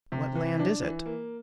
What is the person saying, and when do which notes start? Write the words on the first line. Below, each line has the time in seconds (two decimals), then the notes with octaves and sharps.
"What land is it?"
0.12 C3
0.35 E3
0.59 D4
0.82 E3
1.06 A#3